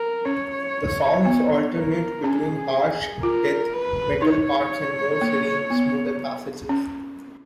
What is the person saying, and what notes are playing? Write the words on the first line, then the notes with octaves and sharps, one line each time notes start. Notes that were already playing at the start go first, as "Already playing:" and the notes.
The songs alternate between harsh death metal parts and more serene, smoother passages.
Already playing: A#4
C#4 C#5
B3
A#4
C#4 G#4
F4 A#4
B4
D#4 C#5
A#3
B3
C#4